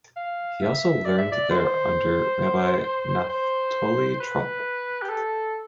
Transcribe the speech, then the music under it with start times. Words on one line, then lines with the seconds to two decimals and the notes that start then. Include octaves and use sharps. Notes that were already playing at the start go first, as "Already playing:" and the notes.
He also learned there under Rabbi Naftoli Trop.
0.16 F5
0.62 E5
1.06 D5
1.18 E5
1.32 D5
1.51 C5
3.30 C5
4.20 B4
5.02 G4
5.10 A4